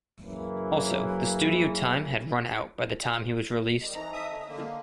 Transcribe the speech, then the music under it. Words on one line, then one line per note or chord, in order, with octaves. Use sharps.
Also, the studio time had run out by the time he was released.
F#2 C#3 E3 A#3
D#3 G3 D5 D#5
E3 C4 D#4 A4 A#5
E5 G#5 D#6
D3 C#5 D5 A5
D3 A#3